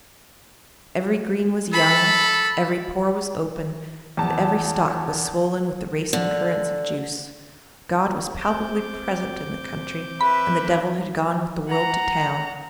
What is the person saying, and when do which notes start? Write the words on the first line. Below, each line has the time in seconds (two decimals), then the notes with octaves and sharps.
Every green was young, every pore was open, and every stalk was swollen with racing currents of juice. God was palpably present in the country, and the devil had gone with the world to town.
1.73 A4 B5
4.17 E2 A5
6.13 D3
8.40 C4 D6 G6
10.21 B4 E5 B5
11.68 F#5 A#5